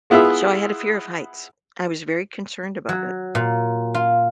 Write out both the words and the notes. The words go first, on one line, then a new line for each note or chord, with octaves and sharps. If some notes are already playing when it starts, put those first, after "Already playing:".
So I had a fear of heights. I was very concerned about it.
G#3 B3 E4 F4 G#4 E5
F#3
A#2
F4